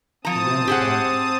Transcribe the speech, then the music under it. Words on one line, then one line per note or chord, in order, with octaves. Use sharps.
We ran to the barn.
F3 C4 A5 A#5 D#6
G4 G#4 F#5